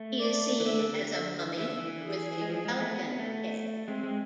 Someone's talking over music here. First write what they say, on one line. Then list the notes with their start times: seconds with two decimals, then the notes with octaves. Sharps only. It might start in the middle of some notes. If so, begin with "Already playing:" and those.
He is seen as a mummy with a falcon head.
Already playing: A3
0.20 D5
0.60 E3
0.66 D3 E5
1.12 E5
1.58 E3 E5
1.68 D3
1.78 E3
2.04 G#4
2.42 G#3
2.49 F3
2.65 G#3
2.81 A3
2.96 B3
3.19 A3
3.88 G#3 C4
4.03 G#3